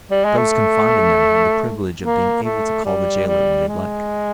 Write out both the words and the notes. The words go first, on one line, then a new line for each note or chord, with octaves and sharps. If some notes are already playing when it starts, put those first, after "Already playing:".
Those confined in them have the privilege of being able to call the gaoler when they like.
G3
G#3
A3
A#3
A3
G3
G3
G#3